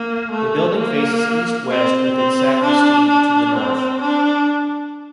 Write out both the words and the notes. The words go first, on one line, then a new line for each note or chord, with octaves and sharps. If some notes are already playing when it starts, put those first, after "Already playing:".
The building faces east–west with its sacristy to the north.
Already playing: A#3
A3
A#3
C4
C4
D4
D4
C4
D4